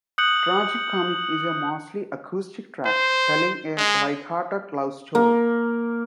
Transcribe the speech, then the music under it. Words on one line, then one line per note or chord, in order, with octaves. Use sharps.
"Tragic Comic" is a mostly acoustic track telling a light-hearted love story.
D#6 F#6 G6 C#7 F#7
C5
G#3
A#3